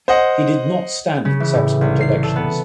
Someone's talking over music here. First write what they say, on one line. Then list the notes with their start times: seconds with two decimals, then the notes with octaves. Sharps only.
He did not stand in subsequent elections.
0.08 C5 D#5 F#5
1.25 C#3
1.40 E3
1.54 A2
1.81 C2
2.01 C7
2.23 A4
2.36 B3